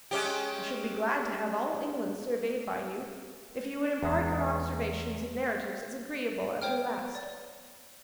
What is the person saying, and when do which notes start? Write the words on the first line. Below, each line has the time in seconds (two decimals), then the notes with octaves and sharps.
I should be glad to have all England surveyed by you, if you would impart your observations in narratives as agreeable as your last.
0.11 G#3 C#4 G4
4.03 E2 G#3
6.62 C5 C#5 G5 F6
7.15 D5